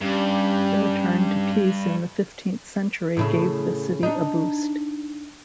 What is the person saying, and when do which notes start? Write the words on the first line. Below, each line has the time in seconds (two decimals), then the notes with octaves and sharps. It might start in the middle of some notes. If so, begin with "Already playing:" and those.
The return to peace in the fifteenth century gave the city a boost.
0.01 G2 G3 C#4 G4
3.17 A2 C#3 E4
4.03 D4 D#4